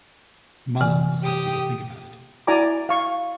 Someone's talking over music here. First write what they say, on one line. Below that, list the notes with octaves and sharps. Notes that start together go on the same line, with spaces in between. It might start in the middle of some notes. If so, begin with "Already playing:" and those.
Mullen says he will think about it.
C3 E3 G#5
G4 D#6
E4 F#4 D5 G#5 A#5 D6
F5 C#6